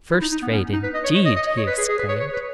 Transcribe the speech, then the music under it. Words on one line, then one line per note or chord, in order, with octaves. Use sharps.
'First rate, indeed!' he exclaimed.
E4
D#4
D#4
B3
C#4
D#4
B4
D#5
C#5
C#5
D#5
D#5
D#5
C#5
B4
G#4
G#4
B4
C#5
C#5
B4